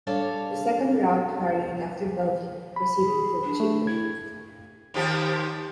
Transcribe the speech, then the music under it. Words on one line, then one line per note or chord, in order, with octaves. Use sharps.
The "second route" varied after Bellevue proceeding to Chidlow.
G3 D4 A4 C#5 F5
B5
G#4
D4
A3
E4 G#6
D#2 F3 G4